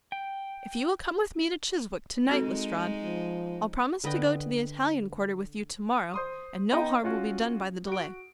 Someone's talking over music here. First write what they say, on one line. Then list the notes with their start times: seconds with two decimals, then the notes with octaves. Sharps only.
If you will come with me to Chiswick to-night, Lestrade, I'll promise to go to the Italian Quarter with you to-morrow, and no harm will be done by the delay.
0.12 G5
2.29 G#3 C4 D#4 F#4 A4
3.03 F3
4.04 D3 B4 D#5 G5
6.14 C5 C6 D#6
6.72 B3 D#4 D#5 G5 A#5
7.03 C#4 F4 F#4 C#5
7.87 F#4 D7